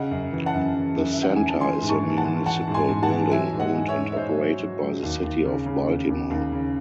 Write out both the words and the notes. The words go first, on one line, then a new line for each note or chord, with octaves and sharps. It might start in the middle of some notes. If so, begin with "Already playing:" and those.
The Center is a municipal building owned and operated by the City of Baltimore.
Already playing: C#3 D#5 F#5
F#2
E3
F#5 A5
F#2
E3
F#2
E5
E3
F#5
F#2 G#5
A5
E3 G#5 C6
G#2
A5 C#6
E3
F#5 A5
E3
E3 F#5 A5
G#2
G#5 C6
G#2
F#5 A5
E3
F#3 E5 G#5
G#2
D#5 F#5
G#2
C#5 E5
G#2
E5
G#2 C5 D#5
F#3
F#3
F#3
D#2
D#2
C#3
C#3
D#2
D#2
D#2
C#3